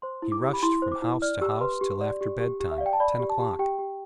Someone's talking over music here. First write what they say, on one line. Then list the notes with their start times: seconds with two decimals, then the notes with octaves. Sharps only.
He rushed from house to house till after bedtime--ten o'clock.
0.02 C5 C6
0.22 E4
0.32 D6
0.43 G4
0.53 B5
0.63 E4 C6
0.82 C5
0.92 D6
1.02 E4
1.22 D5 F6
1.41 G4 E6
1.61 B4 C6
1.81 G4
2.01 D5
2.21 G4
2.40 G4
2.60 G4
2.71 E5
2.78 F5
2.80 D5
2.86 G5
2.93 A5
3.00 D5 B5
3.19 G4
3.30 A5
3.40 G4
3.59 G4 G5
3.79 G4